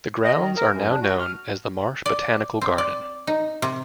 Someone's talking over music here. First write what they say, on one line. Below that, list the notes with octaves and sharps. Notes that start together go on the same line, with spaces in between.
The grounds are now known as the Marsh Botanical Garden.
D#5
D#3
A#4
F#2
D4
F#4
F6
D5
C4
D5
D#4
C3